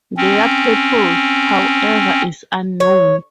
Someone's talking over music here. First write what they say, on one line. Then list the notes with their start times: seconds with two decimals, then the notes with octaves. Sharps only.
Their purpose, however, is unknown.
0.17 C4 C#4
2.80 C#5